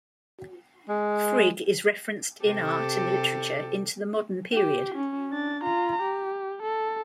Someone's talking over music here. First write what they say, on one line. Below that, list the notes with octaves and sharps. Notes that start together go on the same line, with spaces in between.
Frigg is referenced in art and literature into the modern period.
G#3
C3 G4 A4
G4
C#4
D4 A6
F4 A#5
G4
A4